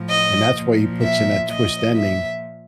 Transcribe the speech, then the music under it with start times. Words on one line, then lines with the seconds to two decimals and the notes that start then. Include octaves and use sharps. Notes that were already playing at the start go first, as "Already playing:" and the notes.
and that's why he puts in that twist ending
Already playing: A2 F3
0.09 D#5
0.54 A#2 F3
1.02 E5
1.48 A#2 F3 D#5
1.95 E5